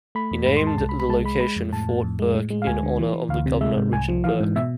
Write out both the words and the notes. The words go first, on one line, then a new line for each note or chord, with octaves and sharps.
He named the location Fort Bourke in honour of the Governor, Richard Bourke.
A3 B5
E2
G#2 B5
C6
G#3
A5
C2 A5
B5
C2
B5
G#3 A5
G#3 B5
G#3 B5
F2
A2 A5
A2
F2
G#3
A2
G#3
F5
D2 G#5
D3
E3
E3
D2 F5
C3
G#3 E5
G#2
C2 G#5
F3
E3 F5
G#2
B2 E5